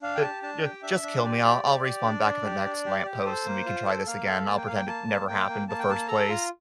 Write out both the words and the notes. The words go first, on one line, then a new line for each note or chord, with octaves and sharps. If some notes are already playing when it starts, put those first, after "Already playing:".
J j just kill me, I'll I'll respawn back in the next lamppost, and we can try this again, I'll pretend it never happened the first place.
D4 F5
G5
G4 A5
D4 A5
G4 G5
D4 E5
D4
G4 D5
G4
G4
G4
D4
D4
G4
D4
G4
G4
A4 C5
A#3
F4
A4
A#3 F5
A4
A#3 A5
G5
A#3 F5
G5
A#3 A5
A#3
A#3 G5
A#3
A#3 A5
G5
A#3 A5
A4 A#5
F4